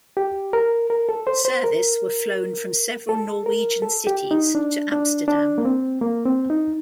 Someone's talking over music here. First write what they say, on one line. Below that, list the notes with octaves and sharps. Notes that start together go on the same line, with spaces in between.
Service were flown from several Norwegian cities to Amsterdam.
G4
A#4
A#4
A4
C5
C5
A#4
A4
A#4
A4
G4
D#4
D4
D4
D4
A#3
C4
A#3
C4
D#4